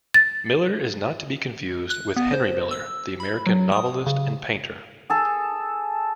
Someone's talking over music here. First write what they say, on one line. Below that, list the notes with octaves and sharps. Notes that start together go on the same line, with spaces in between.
Miller is not to be confused with Henry Miller, the American novelist and painter.
A6
F#6
B3
C5
E6
B5
F#3
D#6
C#3
G#4 A4